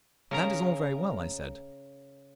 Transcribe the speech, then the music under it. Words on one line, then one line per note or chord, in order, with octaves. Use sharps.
"That is all very well," I said.
C#3 A#4 A#5